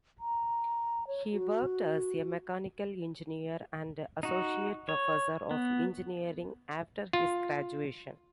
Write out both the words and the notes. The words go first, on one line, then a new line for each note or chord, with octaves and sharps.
He worked as a mechanical engineer and associate professor of engineering after his graduation.
A#5
C#5
F#4
D#4 F#4
C#5
B3
F4